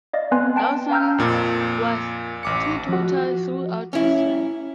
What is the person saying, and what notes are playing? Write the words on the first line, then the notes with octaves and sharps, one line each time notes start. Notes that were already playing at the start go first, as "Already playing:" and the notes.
Dawson was teetotal throughout his life.
D5 D#5 F5
B3 C4 B4 G#5 C6 F#6
G5 A5 D7
F5 G5 A#5 E6 F6 G6
F2 A#2
A1 D6 C#7
F3 F#4
C#4 E4